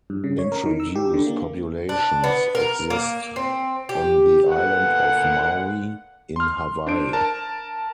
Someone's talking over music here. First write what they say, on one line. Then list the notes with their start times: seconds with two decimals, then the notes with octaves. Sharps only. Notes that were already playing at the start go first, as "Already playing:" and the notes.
Introduced populations exist on the island of Maui in Hawaii.
0.10 G2
0.24 C#3
0.39 C#5
0.52 A#4
0.66 D#3
0.80 E6
0.95 G4
1.14 D3
1.27 A#3
1.89 D4
2.24 B3
2.55 A#4
2.90 A#3
3.36 C4
3.89 G4
4.48 A#2 D3 B3 F#5
6.36 C6 F6
6.87 D4 C5 D7
7.13 A#4 A5